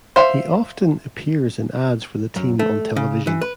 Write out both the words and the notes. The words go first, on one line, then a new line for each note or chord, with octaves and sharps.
He often appears in ads for the team on television.
C5 E5 F5
F#2
A3
C#3
E3
B4